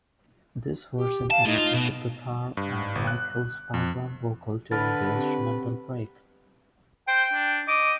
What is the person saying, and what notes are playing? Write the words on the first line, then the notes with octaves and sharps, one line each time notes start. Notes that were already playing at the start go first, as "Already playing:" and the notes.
This version omitted the guitar and Michael's background vocals during the instrumental break.
G4
F5 A5
A2 D#4
F4
B2
G2
G1
F#6
F2
D3 B4 B5 F6 A6
C4 G4
C5 G5
D4
D#5 D6